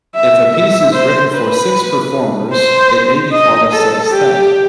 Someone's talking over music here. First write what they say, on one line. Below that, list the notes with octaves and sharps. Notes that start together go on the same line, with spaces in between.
If a piece is written for six performers, it may be called a "sextet".
E5
E5
C5
B4
C5
D#5
A4
G4